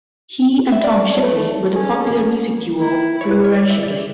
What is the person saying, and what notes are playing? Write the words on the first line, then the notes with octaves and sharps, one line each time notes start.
He and Tom Shipley were the popular music duo Brewer and Shipley.
E5
D5
D5
C#5
A3 B4
A4
A4
C#4 G#4
A4
E4
C#5
B4
C#5
D5
E5
D5